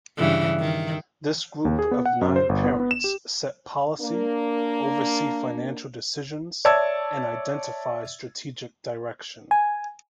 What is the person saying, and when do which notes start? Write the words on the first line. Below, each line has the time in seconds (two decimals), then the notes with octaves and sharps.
This group of nine parents set policy, oversee financial decisions and identify strategic direction.
0.17 G2 C#3 E3
0.60 D#3
1.65 D#2
1.79 G#4
1.91 B3
2.06 F#5
2.21 F#2
2.36 C5
2.49 G1
2.64 B3
2.80 B3
2.91 E7
3.04 G4
4.00 A#3 D4
6.65 C#5 D5 E5 A5 E6 G#6
9.51 G#5